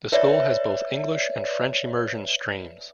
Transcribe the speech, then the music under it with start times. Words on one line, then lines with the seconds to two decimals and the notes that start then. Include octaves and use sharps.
The school has both English and French Immersion streams.
0.12 B4 C#5 D5 E5